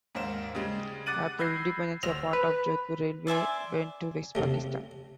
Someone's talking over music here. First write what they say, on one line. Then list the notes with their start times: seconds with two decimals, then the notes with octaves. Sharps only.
After Independence, a part of Jodhpur Railway went to West Pakistan.
0.15 D#2 G#2 A#3 C5 E7
0.55 C#3 G3 G#3
1.06 F#5 D6 F#6 A6 D#7 F#7
1.39 B5 E6 G6 G#6 A#6 C7
2.03 D1 C5 E6 A#6 F7
2.33 B4
3.27 D5 E5 G#5 C6
4.35 C3 F3 G3 A3